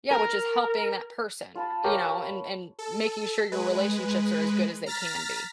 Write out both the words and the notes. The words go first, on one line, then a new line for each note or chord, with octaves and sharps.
Yeah, which is helping that person, you know, and and making sure your relationships are as good as they can be.
A#4
F4 A5 B5
G4 A#4 C#5
A4
G#3 B4
A#5 F6 A6 B6